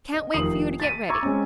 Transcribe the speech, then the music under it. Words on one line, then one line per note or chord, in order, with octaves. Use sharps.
"Can't wait for you to get ready."
D#5
F1 D#3 D#6 C7 F#7
A6 B6 D#7
A#5 C#6 D6 E6 G#6
G#3 C4 C#4